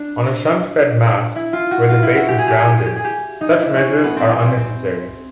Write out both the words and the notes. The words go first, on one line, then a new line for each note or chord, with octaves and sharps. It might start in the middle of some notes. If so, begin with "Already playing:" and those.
On a shunt-fed mast, where the base is grounded, such measures are unnecessary.
Already playing: D4
E4
F4
F#4
F4
E4
F#4
G4
G#4
G4
G#4
G4
G#4
G4
G#4
G4
D#4
E4
D4
C#4
B3
C4
C#4
C4
C4